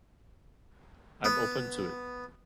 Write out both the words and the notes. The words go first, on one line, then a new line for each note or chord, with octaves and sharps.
I'm open to it.
B3